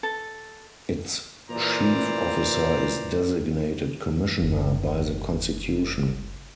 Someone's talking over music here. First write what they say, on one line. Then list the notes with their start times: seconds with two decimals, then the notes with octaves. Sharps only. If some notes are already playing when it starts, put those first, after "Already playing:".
Its chief officer is designated "Commissioner" by the Constitution.
0.03 A4
1.49 A#2 E3 C5 D5 A#5
4.42 F#1 G#3